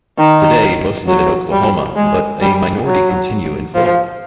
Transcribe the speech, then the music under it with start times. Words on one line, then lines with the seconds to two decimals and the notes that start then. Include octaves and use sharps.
Today most live in Oklahoma, but a minority continue in Florida.
0.18 D#3
1.07 F#3
1.52 G3
1.96 G#3
2.41 G3
2.86 F#3
3.74 F3